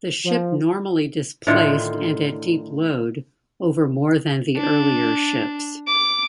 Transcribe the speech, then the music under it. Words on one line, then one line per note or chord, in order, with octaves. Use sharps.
The ship normally displaced and at deep load, over more than the earlier ships.
F3
A2 D3 D#3 F4
D4
D6